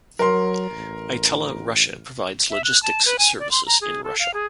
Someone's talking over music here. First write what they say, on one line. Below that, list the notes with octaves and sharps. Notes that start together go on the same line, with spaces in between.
Itella Russia provides logistics services in Russia.
F#3 A#4 C6
A1
E5
F#6
A5
B4
G#5
D5
C6
A#5
G#4
A4
F5
G#4